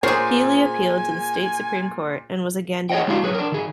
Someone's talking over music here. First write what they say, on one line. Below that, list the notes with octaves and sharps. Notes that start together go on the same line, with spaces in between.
Healy appealed to the State Supreme Court and was again denied.
A#2 G#4 A#4 C5 C#5 G#5
G#4 C#5 D#5 F#5 G5
G#3 D4 E4 F#4 G4 F5
F#3 G#4 B4 C#5
D4 A#4
D#3 G#4